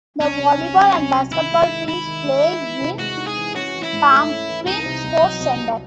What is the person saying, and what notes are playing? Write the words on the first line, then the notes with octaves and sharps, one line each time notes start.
The volleyball and basketball teams play in Pamplin Sports Center.
C2 C#4
C3
C2
F#3
C2
C3
D#3 E4
G#3
D#3
D#4 E4
D#3
G#3
D#4
E3
C3
G#3 F#4
D#4
G#4
E3
C#4 F#4
E3
E4
G#2
A3
C#4
E3
C2 D#4
C3
C2
F#3
C2
C3